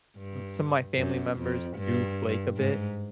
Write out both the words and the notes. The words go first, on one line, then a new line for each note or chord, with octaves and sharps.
m some of my family members do flake a bit,
G2
F#2
F2
G2
G#2